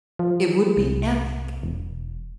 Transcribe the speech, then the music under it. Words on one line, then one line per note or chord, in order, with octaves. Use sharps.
It would be epic.
F3
C2
E1